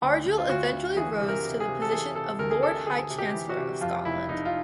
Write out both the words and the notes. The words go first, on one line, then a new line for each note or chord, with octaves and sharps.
Argyll eventually rose to the position of Lord High Chancellor of Scotland.
D2
D2
F4
D2 F#4
D2
E3 G#4
C3
A#4
C3
G#4
C3
A4
E3 G#4
C3 A4
D2 A#4
G#4
D2 A4
D2 G#4
C3
G4
E3
F#4
C3
F2 F4
F1 E4
F1 D#4
F4